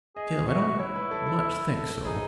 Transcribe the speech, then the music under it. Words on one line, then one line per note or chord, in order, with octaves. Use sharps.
Still, I don't much think so.
G#4 D#5
F#4 E5
E4 C#5
B4
A4
A4
A4
D#4 G#4